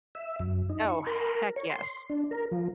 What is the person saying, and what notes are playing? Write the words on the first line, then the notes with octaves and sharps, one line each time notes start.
Oh, heck yes.
E5
F#2
D#4
C#6
A#4
C#5
C6
D4
A#4
F3